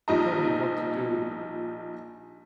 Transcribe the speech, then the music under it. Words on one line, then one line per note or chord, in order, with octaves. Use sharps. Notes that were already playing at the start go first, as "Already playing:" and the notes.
Tell me what to do!...
A#1 F3 G3 D#4 D#5 A#5